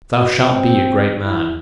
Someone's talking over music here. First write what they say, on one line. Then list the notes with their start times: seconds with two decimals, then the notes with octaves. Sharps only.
Thou shalt be a great man.
0.14 B2
0.48 C4
1.23 E4